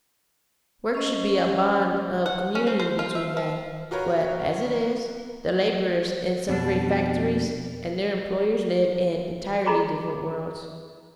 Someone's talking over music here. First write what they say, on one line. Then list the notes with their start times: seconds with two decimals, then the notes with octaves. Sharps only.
Work should be a bond of communion between men, but as it is, the laborers in some great factories and their employers live in entirely different worlds.
0.95 C#4 C5 D#5
2.26 F#5
2.55 C#4
2.67 C4
2.80 C5
2.99 F4
3.15 E5
3.37 F3
3.91 F4 F#4 A#4 B4 C#5
6.49 F2 B2 D4
9.66 G#4 A4 D#5 A#5 B5 D6